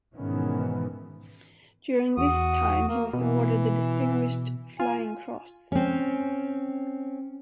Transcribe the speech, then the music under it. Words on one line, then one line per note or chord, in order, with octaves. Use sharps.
During this time he was awarded the Distinguished Flying Cross.
G#2 B2 D#3 E3 B3 C#4
E2 F#4 D#6
A#3
B2 E3
F4 G#5
C4 C#4